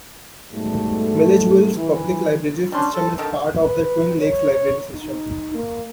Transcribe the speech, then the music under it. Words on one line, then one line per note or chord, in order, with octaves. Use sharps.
Milledgeville's public library system is part of the Twin Lakes Library System.
G#2 B2 G3 A3
E3
G3 C#4 D4 C6
A4
D3 D#3 D4 A4
B4
C#5
D#4
A#3